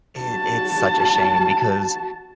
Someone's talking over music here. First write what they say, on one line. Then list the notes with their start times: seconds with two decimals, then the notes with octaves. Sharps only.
It it’s such a shame because,
0.20 F#4 A5